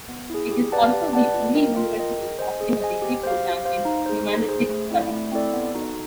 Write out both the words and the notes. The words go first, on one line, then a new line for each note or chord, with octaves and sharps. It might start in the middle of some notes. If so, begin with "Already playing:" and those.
It is also the only university offering a degree programme in humanistic studies.
B3
E4 G#4
G4
B4 D5 F#5 A5
G4
B4 D5 F#5 A5
F4
A#4 D#5 G5
F4
A#4 D#5 G5
G#4
C5 D#5 G#5
G#4
C5 D#5 G#5
G4
C5 F5
G4
C5 F5
D#4
G#4 C5
D#4
G#4 C5
A3
C4 E4 A4 D5
A3
C4 E4 A4 D5
B3
D#4 F#4 A4